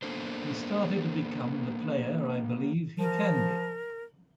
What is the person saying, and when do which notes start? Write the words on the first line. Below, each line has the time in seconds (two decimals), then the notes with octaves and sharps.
He started to become the player I believe he can be.
0.02 A#3 B3 D4 A4 C5
2.99 F3 A#4